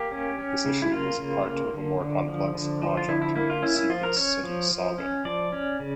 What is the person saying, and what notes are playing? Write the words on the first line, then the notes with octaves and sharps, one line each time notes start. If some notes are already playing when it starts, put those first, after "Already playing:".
This issue was a part of a more complex project named Secret City Saga.
Already playing: A#3 G4
C#4
C#4
C#3
E4
A#3 F4
C#3
A#3
D3
D3
F3
D3
F3
F4
D3 E4
E4
A#3 E4
F4
C#4 E4
E4
F3 F4
A#4
C#4 C#5
F3
F3
C#4
F3 D5
C#4
C#3